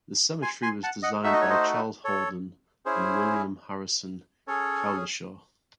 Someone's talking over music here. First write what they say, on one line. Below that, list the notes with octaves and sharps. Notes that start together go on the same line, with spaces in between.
The cemetery was designed by Charles Holden and William Harrison Cowlishaw.
G#5 C6
G#5 C6
F#5 A5
D#5 F#5
A3 D#4 F#4 E5
D#5
C#5
C5 D#5
A4 C#5
C#4 E4 G#4 C5
C#4 G#4 A4 C#5